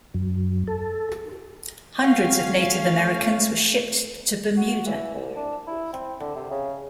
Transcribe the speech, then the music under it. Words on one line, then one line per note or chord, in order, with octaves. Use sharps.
Hundreds of Native Americans were shipped to Bermuda.
F#2
A4
C#4 F#4 F5 G5
A3
F#4
E3
C2
D4
E4
C4
D3
C3
C#3